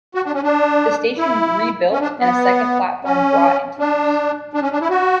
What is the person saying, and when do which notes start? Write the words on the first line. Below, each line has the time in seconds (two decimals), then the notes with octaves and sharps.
The station was rebuilt and a second platform brought into use.
0.15 F#4
0.25 D4
0.34 C#4
0.43 D4
1.18 E4
1.92 C#4
2.01 D4
2.20 B3
3.05 C#4
3.79 D4
4.54 D4
4.62 C#4
4.72 D4
4.81 E4
4.90 F#4